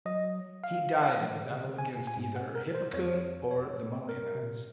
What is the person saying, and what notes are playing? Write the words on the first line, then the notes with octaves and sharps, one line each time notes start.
He died in the battle against either Hippocoon or the Molionides.
F#3 D#5
F5
F3
D#3
C#3
C#3
C#3 G#5
A#2
G#5
G#2
F#5
A#4
C5
F2 C#5
C#5
A#4
C3
A#2